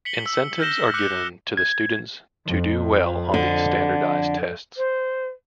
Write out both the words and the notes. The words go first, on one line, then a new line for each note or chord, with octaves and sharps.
Incentives are given to the students to do well on these standardized tests.
B6 C#7 F#7 G7
E6
F6 G6 A#6 E7 G7
D6 F6 F#6 C#7
G#6
F2
D3
C5